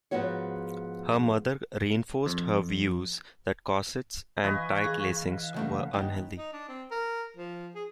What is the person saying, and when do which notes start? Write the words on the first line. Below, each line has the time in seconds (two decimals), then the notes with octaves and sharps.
Her mother reinforced her views that corsets and tight lacings were unhealthy.
0.11 G#2 B2 F3 B3 F#4 C#5
2.26 F2
4.44 E3 B4 D#5 F5 G#5 C#6
4.84 G#4
5.54 C#3 A3 A#3 F#5
5.94 D#2 D#4 G5
6.38 D#4
6.53 D4
6.69 C4
6.91 A#4
7.37 F3
7.75 G#4